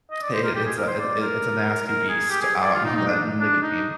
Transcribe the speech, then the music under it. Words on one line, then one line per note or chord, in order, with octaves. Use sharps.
uh, it it's a uh, th it it's a nasty beast, um, that nicotine.
D#5
D5
C5
A#4
G4
G#4
A#4
C5
D5
A#4
A#4
G#4
G4
G#4
D5
F4
D#4
D#4
D4
D4
D#4